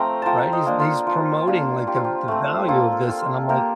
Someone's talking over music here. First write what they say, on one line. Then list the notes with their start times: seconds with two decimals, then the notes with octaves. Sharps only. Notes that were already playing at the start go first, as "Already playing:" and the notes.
right? He's he's promoting like the the value of this." And I'm like
Already playing: F3 A3 C4 F5 G5 A#5
0.22 F3 G5 A5 A#5
0.52 C5 D#5
0.66 A#3 D4
0.80 F4
1.07 F3
1.47 A#3 D4 F4
1.87 F3 G4
1.95 F4
2.04 G4
2.28 A3 C4
2.68 A#3 F4 A4
3.09 F4
3.49 A#3 G4 A#4